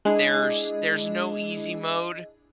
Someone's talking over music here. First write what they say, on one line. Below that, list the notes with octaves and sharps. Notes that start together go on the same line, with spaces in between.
There's there's no easy mode.
G#3 D4 E4 G#4 D#5